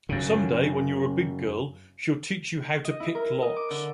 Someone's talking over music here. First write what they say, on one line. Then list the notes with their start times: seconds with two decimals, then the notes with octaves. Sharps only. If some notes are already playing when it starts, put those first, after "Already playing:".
Someday, when you're a big girl, she'll teach you how to pick locks.
0.09 F#2 C#3
2.85 D#5
3.00 E4
3.15 A#4
3.42 D#5
3.56 D6
3.70 D3